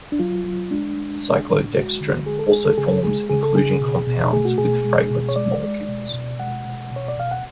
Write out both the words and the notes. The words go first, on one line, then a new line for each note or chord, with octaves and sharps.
Cyclodextrin also forms inclusion compounds with fragrance molecules.
D4
F#3 F4
F#3
G#3 D4
G#3
G#3
A2
G#3 F#4
D3
G#3 G#4
A4
G#3 G#4
A4
C#3 G#4
A4
G#3 G#4
C#3 G#4
A4
C#3 G#4
B2
B2
A3 G#4
F#4
B2 G#4
G#3
B2
C#5
G#3 D5
G#3
B2
B2
G#3 F#5
B2
B2 C#5
D5
B2 F5
F#5